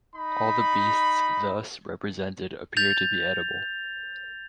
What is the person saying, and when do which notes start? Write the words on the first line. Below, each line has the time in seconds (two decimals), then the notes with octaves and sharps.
All the beasts thus represented appear to be edible.
0.16 D#4 B5
2.77 G6 A6 F7